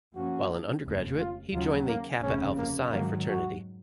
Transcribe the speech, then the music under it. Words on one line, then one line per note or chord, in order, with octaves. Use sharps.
While an undergraduate, he joined the Kappa Alpha Psi Fraternity.
F#2 F3 A#3 C#4 F#4
F1 D#2 C#3
F4
D#2 C#3 F#3 C#4 F4
A#3
F1 D#2 C#3 C#4
A#3
G#2 D#3 F#3 A#3
F#4